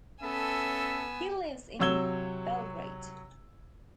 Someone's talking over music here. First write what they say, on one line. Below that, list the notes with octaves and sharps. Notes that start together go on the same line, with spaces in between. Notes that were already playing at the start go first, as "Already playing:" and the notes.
He lives in Belgrade.
B3 C#4 A4 E5 G#5 E6
C3 F#3 C#5 E6 G#6 G7